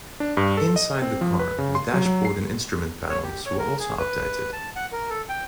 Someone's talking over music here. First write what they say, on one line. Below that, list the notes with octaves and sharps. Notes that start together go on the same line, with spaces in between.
Inside the car, the dashboard and instrument panels were also updated.
D4
G2
A4
D#5
C4
F3
B4
C#3
C6
F#3
F#3
C7
C#5
G4
C#5
A#4
G#4
B4
A5
F#5
A#4
A4
G5